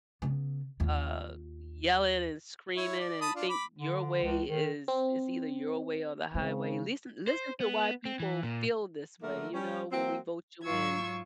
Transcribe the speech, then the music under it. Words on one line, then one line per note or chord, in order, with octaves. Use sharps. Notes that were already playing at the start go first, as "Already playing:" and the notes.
uh, yelling and screaming and think your way is is either your way or the highway. Listen listen to why people feel this way, you know, when we vote you in.
C#3 B3
D#2 F4
E4 C#5
D5
A5 B5 D#6
D4 F4
B5 D6
D3
C#2
D#3
C4
C#3 G#3 C4
C5
B3
C4
E3
A#2
D3 F3 A3 A#3 A#4
G3 C#4
F#3 A#3 C4
G#2 F#3 F4 C#6 E6 G#6